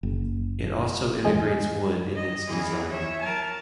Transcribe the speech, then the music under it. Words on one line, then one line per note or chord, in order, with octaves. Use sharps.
It also integrates wood in its design.
F#1
E2 G#3 D#5 G#5
D#5
E2 E3 E4 G#4
C#5 E5
F#3 A#4 A5